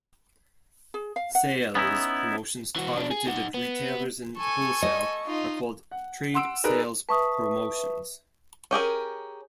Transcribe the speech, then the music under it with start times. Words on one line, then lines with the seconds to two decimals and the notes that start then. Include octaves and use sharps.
Sales promotions targeted at retailers and wholesale are called trade sales promotions.
0.94 G#4
1.16 F5
1.35 F#5
1.75 B3 C#4 D#4 E4
2.76 E3 F#4
2.95 B2 D4
3.11 G#4
3.27 D#4 F#5
3.54 B3
4.37 A4 G#5 C#6
4.83 D#5
5.26 D#4 F4
5.91 F#5
6.34 F#5 C6 E6 D7
6.64 D#4 G#4 A#4 B4 D5
7.09 B4 E5 A5 C#6 D#6
8.71 C#4 G4 G#4 A#4